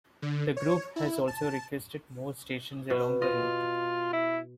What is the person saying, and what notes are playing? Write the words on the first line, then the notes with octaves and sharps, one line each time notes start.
The group has also requested more stations along the route.
D3
C#5
E4
A5
B2
F4 D#5
E4